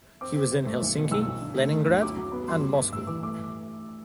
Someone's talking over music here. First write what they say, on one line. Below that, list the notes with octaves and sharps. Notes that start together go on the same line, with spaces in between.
He was in Helsinki, Leningrad, and Moscow.
C4 D6
C4
C4
A3
B1
B2
B1 E6
B1
D3
A3
A3
D2
F#3 D6
F#3
B3 B5
G2 C6
G2 D6
G2
A1 E6
E3 D6
A3 D6